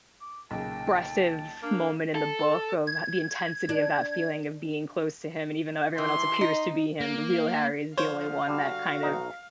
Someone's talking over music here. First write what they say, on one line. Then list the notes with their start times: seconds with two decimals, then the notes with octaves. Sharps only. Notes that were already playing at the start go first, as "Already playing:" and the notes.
expressive moment in the book of the intensity of that feeling of being close to him, and even though everyone else appears to be him, the real Harry is the only one that kind of,
0.21 D6
0.51 B1 A#2 C#3 G5 A5
1.63 A#3 D4
2.15 A4
2.87 G#6
3.69 D4
5.98 E3 C6
6.41 D#4
7.01 A#3
7.98 D3 F3 C5 C#5 F5
8.47 D3 G3 F#4
9.03 B1 D#4